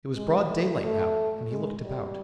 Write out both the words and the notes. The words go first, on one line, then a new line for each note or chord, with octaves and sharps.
It was broad daylight now, and he looked about.
G#3
A3
A3
G#3
G3